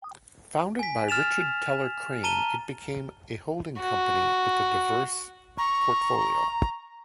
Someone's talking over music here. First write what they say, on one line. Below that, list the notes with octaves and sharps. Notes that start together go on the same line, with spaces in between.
Founded by Richard Teller Crane, it became a holding company with a diverse portfolio.
G#5 B6
F6 A6 E7 F7
A5 A#5 D#7 G7
F#4
A#5 C#6